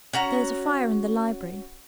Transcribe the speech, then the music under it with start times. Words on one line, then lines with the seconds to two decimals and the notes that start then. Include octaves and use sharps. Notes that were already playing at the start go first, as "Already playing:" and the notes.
There is a fire in the library.
0.13 C#4 F#4 A#5